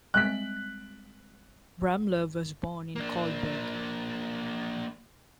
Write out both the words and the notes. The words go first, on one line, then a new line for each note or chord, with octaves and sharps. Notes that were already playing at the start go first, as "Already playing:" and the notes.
Ramler was born in Kolberg.
G3 G#3 C4 F#6 B6
A#3 D4